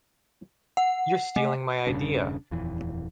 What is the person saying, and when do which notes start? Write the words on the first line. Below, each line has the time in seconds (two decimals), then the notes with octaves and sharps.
You're stealing my idea!
0.77 F#5
1.36 A3
1.87 E1 G2 C#3 D4
2.51 D#1 F2 E3